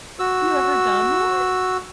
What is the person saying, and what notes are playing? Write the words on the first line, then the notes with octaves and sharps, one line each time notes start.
you ever done one,
F#4 E6